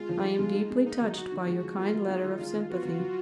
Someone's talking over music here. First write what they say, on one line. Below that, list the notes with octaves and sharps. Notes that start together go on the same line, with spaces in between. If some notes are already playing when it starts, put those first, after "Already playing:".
I am deeply touched by your kind letter of sympathy ...
Already playing: G#3 F4
F3
D#4
G#3
D#4
G#3
A#3 D#4
F#3
F#3 F#4
D#3
G#3 F#4
F3
A#3 F4
F#3
G#3 D#4
D#3
G#3 F4
D#3
B3 F#4
F#3
F#3